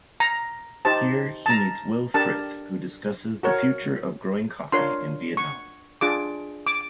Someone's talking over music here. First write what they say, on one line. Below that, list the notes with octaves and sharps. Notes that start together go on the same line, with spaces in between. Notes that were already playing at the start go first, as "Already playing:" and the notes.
Here, he meets Will Frith who discusses the future of growing coffee in Vietnam.
A#5
D#4 G4 C5 A5
A5
A#5
D4 G4 A#4 A5
F#4 A#4 C#5
D4 F4 A#4 C#5 C6
C#6
D4 F4 G#4 D6
D6